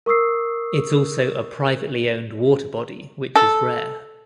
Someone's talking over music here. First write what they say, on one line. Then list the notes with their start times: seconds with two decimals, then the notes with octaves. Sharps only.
It's also a privately owned water body which is rare.
0.06 A#4 C#6 D#6 E6 C7
3.36 A4